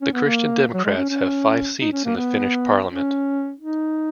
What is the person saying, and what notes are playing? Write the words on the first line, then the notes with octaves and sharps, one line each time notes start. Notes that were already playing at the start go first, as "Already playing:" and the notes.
The Christian Democrats have five seats in the Finnish Parliament.
C#4
B3
A#3
F#3
G#3
C#4
C#4
D#4
C#4
A#3
B3
C#4
D#4